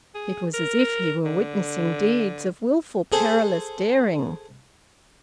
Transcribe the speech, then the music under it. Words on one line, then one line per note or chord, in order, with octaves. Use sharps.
It was as if he were witnessing deeds of wilful perilous daring.
G#4
A#4
D3
G#4 A4 C5